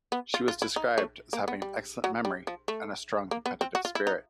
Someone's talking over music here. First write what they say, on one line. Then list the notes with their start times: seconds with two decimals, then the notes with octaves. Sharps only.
She was described as having had an excellent memory, and a strong competitive spirit.
0.12 B3
0.34 F4
0.48 F4
0.62 E4
0.76 D#4
0.98 A3
1.33 A#3
1.48 B3
1.62 G3
2.04 F#3
2.25 G3
2.47 F3
2.68 A3
3.31 A#3
3.46 B3
3.61 C4
3.75 F#4
3.85 F4
3.95 E4
4.07 D#4